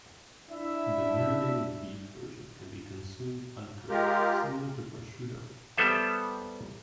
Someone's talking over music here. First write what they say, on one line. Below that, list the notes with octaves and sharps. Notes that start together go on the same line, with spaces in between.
The marinated beef version can be consumed uncooked, similar to prosciutto.
D4 E4 E5
G#3 F4 G4 A#4
G3 B3 A4 C5 E5